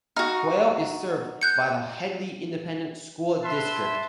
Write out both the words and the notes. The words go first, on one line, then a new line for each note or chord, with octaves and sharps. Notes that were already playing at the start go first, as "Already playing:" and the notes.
Quail is served by the Hedley Independent School District.
D#4 F#4 F6
F#6 G6 C#7
B4 E5 A5 C6